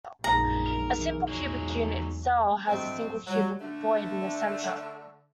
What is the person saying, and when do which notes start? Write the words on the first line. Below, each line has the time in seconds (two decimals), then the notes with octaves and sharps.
A simple cubic unit cell has a single cubic void in the center.
0.24 A#1 F#2 G#3 B3 D#4 G#4 A#5
0.67 A#4
0.97 B1 E3
1.28 E2 F#3 G#3
2.68 D2 A3 C4 D#5
3.27 F#3 G3
3.61 D3 A3 D4